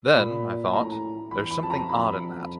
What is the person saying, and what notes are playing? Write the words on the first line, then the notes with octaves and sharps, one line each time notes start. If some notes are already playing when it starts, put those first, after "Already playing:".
Then, I thought, there's something odd in that.
A#2 B5
A2 A#5
E2 B5
B5
F2 A5
A#5
F2 B5